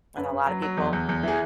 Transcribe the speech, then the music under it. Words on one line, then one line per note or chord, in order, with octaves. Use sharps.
And a lot of people
F#2 B4
F#2
F#3
F#3
E2
E2
E2
E3 G#4